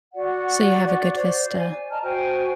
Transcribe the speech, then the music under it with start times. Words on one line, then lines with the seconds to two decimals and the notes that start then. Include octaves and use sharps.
So you have a good vista.
0.14 F#4 D5 F#5
1.15 C5 D5
1.58 G#5
1.90 D#5 A5 A#5 F6
2.02 F#4 C5 G5 G#5